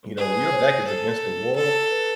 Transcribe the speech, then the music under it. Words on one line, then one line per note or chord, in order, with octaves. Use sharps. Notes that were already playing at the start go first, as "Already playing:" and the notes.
you know, "When your back is against the wall,
G#4 B4
C#5
C5
A4
A4
B4